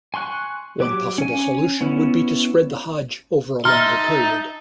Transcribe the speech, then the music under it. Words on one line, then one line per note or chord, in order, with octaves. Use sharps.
One possible solution would be to spread the Hajj over a longer period.
G#5 C6 C#6 F#6
F#3 G4 D6
C#4 G#5
B3 C#4 E4
D#4 E5 A5 A#5 C6 F6